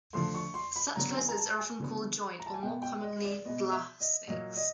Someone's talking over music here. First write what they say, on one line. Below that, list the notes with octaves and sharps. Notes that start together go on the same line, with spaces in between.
Such lizards are often called joint, or, more commonly, glass snakes.
D3 F3 A3 C6
C#6
C6
B5
D3 F#3 B3 A#5
G#5
A#5
A5
G#5
D3 F#3 B3
A#5
A5
G#5
B2 G#3 B3 G5
G5
D#5
D5
B2 G#3 B3 D#5
E5
D#5
A#2 F#3 A#3 D#5
D#5